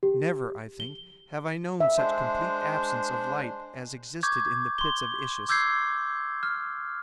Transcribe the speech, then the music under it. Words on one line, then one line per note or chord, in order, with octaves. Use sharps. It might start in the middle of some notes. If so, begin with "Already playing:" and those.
Never, I think, have I known such complete absence of light as existed in the pits of Issus.
G4
G7
E5
G#3 D4 C5
C#6 D6 G6 G#6
C6 G7
D6 E6 G6 G#6 C7
F6